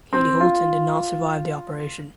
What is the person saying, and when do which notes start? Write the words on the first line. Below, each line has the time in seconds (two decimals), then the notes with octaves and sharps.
Katie Holton did not survive the operation.
0.13 C4
0.40 F4